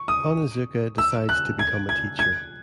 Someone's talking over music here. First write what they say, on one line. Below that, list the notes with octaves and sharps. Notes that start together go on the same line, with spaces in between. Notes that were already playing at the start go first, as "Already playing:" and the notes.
Onizuka decides to become a teacher.
Already playing: C#6
D#6
E6
F#6
G#6
G#6
G#6